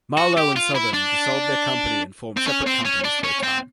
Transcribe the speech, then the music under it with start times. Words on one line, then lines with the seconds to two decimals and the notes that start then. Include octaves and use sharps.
Marlowe and Sothern dissolved their company and formed separate companies for a time.
0.18 F#4
0.37 G4
0.56 F4
0.75 E4
0.94 D4
2.37 C4
2.48 C#4
2.67 C4
2.85 C#4
3.05 D4
3.24 C#4
3.43 C4